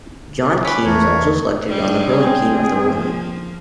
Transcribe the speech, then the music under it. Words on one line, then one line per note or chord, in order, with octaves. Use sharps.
John Keane was also selected on the hurling team of the millennium.
C#4 B4 B5 D6
E2 A3 A#4 C#5
G3 G#3 D4
C4 G#4
F3 A#3